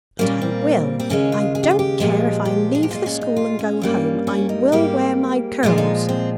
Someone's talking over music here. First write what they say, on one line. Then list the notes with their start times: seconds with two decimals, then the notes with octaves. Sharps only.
But I will; I don't care if I leave the school and go home, I will wear my curls!
0.19 A#2 G3 A#3 C#4
0.42 C4
1.00 C4
1.09 D#2 C#3 G#3 C#4
1.32 F4
1.55 G#4
1.63 G4
1.71 F4
1.79 G4
2.00 A#2 F3 G#3
2.45 G4
2.75 G#4
2.83 G4
2.91 A#2 G#3 F4
3.06 C#4
3.21 D#4
3.36 F4
3.59 C#4
3.82 G2 G3 A#3
4.27 C#4
4.49 D#4
4.72 G#2 G3 A#3 G4
5.63 A#2 F3 G#3 F4
5.78 D#4
6.09 C4